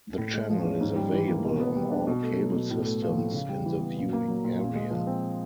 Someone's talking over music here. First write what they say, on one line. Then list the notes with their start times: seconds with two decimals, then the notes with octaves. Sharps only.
The channel is available on all cable systems in the viewing area.
0.18 A2
0.34 G#3
0.50 F3
0.65 C#4
0.81 G#2
0.96 G3
1.12 E3
1.28 A#3
1.44 B2
1.60 B3
1.76 G3
1.91 D4
2.07 B2
2.23 A3
2.39 F#3
2.55 B2
2.70 A2
2.85 A3
3.02 F3
3.18 A2
3.33 C#3
3.49 G3
3.65 E3
3.80 B3
3.97 A#2
4.13 A#3
4.28 F#3
4.44 A#2
4.59 A#2
4.76 G#3
4.91 F3
5.07 C4